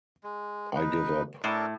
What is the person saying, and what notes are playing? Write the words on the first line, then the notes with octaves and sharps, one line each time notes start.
I give up.
G#3
D#4 B4
A2 D4 A4 A#4